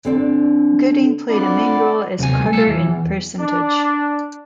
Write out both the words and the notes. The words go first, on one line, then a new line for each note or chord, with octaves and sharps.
Gooding played a main role as Carter in "Percentage".
D3 C4 D4
F3 C4 D4 A4 D5 F#5 B5
D#1 B1 C3 C4 G#5
G3 A3
F4 A4
E1 E3
E2
D4